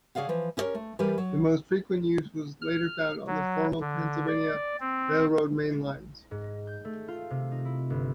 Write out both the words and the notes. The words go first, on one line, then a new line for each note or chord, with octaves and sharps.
The most frequent use was later found on the former Pennsylvania Railroad main lines.
C#3 G#4 D5 F5 F#5
E3 F3
C#4 E4 G4 G#4 A#4 C#5
A3
E3 G3 G4 A#4 B4
F#3
F6
F#3
D3
D5
C4
G#2
G6
A3
F4
C3
D#4
E4
G1